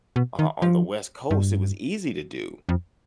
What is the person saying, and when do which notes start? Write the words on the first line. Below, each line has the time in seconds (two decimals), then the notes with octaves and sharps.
o on the West Coast, it was easy to do,
0.16 B2
0.39 D#3
0.62 F3
1.31 G2
2.69 F2